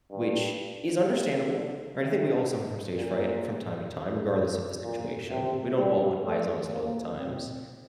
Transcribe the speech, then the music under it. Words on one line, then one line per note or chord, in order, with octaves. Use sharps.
which is understandable, right, I think we all suffer from stage fright from time to time regardless of the situation. We don't all want eyes on us at all the times,
G2
C3
D3
C3
A#2
A#2
C3
G3
A3
A#3
C4